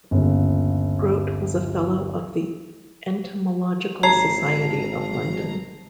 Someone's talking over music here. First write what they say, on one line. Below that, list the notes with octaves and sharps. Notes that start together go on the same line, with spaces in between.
Grote was a Fellow of the Entomological Society of London.
G1 D#2 C#3
G#1 C#5 A5 A#5 C7